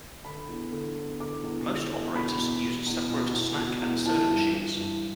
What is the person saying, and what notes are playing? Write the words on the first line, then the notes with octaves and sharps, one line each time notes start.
Most operators use separate snack and soda machines.
D3 B5
E2
D3
E2
D3 D6
E2
D3
E2
B2 B5
E2
B2
E2
B2
E2
B2
E2
E3 A5
G2
E3
G2